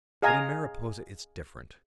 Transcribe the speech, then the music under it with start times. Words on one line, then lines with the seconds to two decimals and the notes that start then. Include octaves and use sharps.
But in Mariposa it's different.
0.22 G#4 D#5 F5 G#5 A#5